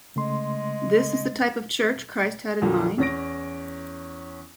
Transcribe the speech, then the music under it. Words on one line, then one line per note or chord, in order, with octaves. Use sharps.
This is the type of church Christ had in mind?
C#3 G#3 A3 C6
F2 A#2 D3 F#3
E2 C#4 A#6 D7